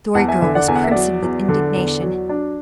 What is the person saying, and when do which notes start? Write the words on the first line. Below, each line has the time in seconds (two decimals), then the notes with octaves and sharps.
The Story Girl was crimson with indignation.
0.15 E2 F#5 A5
0.28 E5 G#5
0.41 D3 E5 G#5
0.55 D5 F#5
0.68 E2 G#5
0.75 F#5
0.84 E5
0.91 F#3 D5 F#5
1.22 E2
1.49 D3
1.76 E2
2.02 F#3
2.29 D4